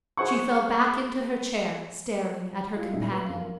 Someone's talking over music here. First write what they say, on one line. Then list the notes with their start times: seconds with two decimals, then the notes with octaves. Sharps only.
She fell back into her chair, staring at her companion.
0.17 G#4 C5 F#5 C#6
2.75 E4 F4 G4 G#4
2.93 D#1 A1 G#2 F#3 D#4 E5
3.11 B4 C6 F#7
3.26 G1 F5
3.40 A#4